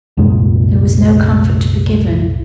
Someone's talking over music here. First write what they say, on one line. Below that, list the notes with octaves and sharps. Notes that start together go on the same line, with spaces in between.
There was no comfort to be given.
C2 F#2 A#2 G#3